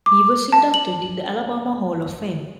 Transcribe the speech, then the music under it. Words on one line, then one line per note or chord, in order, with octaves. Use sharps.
He was inducted in the Alabama Hall of Fame.
D6
A5
F#7